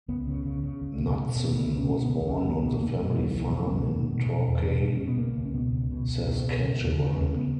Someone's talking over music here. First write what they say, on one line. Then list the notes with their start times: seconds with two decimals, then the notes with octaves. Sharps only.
Knutson was born on the family farm in Torquay, Saskatchewan.
0.08 C#2 B3
0.27 C#3
0.45 C#3
0.63 C#3
0.81 C#2
1.00 B2
1.17 B2
1.36 B2
1.54 C#2 B3
1.72 B2
1.79 C#4
1.90 B2
2.03 B3
2.08 C#2
2.27 C#2 C#4
2.45 C#2 B3
2.63 B2 B3
2.81 B2 A#3
2.99 B2 G#3
3.17 C#2 F#3
3.30 F#3
3.35 B2 E3
3.47 F#3
3.54 C#2 E3
3.66 A#3
3.72 B2 G#3
3.90 B2
4.08 B2
4.26 B2
4.45 E2
4.63 B2
4.81 B2
4.97 B2 C#4
5.07 B3
5.17 C#2 A#3
5.35 C#2
5.45 C#4
5.54 B2 B3
5.72 C#2
5.91 B2
6.08 C#2
6.26 B2
6.44 B2
6.63 C#3
6.81 D#2
6.99 C#3
7.17 D#2
7.35 B3